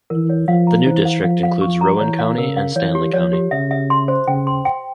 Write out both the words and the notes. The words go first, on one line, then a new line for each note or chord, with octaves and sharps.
The new district includes Rowan County and Stanly County.
E3 A#4
C#5
F3 F5
A#5
E3 C5
F5
F3 F5
F5
F3 C#6
A#5
E3 C#5
F5
C#3 A#4
F5
E3 C#5
G4
F3 C#5
G4
C#3 E5
E5
C6
C5
C#3 G5
C6
G5